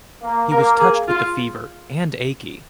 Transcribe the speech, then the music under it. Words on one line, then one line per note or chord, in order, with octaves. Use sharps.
He was touched with the fever and achy.
A#3
A#3 A#4
G#4
F4